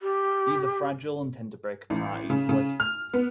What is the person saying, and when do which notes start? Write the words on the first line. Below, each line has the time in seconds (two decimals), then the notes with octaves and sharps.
These are fragile and tend to break apart easily.
0.01 G4
1.90 A1
2.30 C#3
2.49 C#3
2.80 F6
3.14 B3